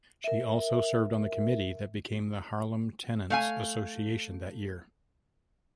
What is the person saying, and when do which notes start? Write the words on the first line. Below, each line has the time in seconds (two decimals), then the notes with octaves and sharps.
She also served on the committee that became the Harlem Tenants Association that year.
0.24 A#4 E5
3.30 A3 F5 G#5